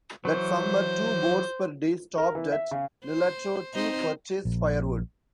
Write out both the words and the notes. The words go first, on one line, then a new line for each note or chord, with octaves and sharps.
That summer, two boats per day stopped at Nulato to purchase firewood.
E3 F#3 C5
A#4
E3
E5
C#3
C5
C4 D#4 C5
A#1